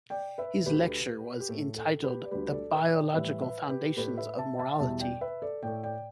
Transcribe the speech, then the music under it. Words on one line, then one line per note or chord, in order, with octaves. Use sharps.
His lecture was entitled "The Biological Foundations of Morality".
D5 G5
B4 E5
D2 D3 A3 G4 B4
G4
A2 A3 A4
A4
G4 B4
D5
D2 D3 G3 G4 B4
A4 D5
B4 E5
E5
D5 G5
A2 E3 G3 B4 E5
B4 E5
G4 B4
A2 A3 G4 B4
B4 E5
E5 A5
E5 A5
E2 B2 G3 E5 A5
D5 G5
B4 E5
A4 D5
A2 A3 D5 G5
D5 G5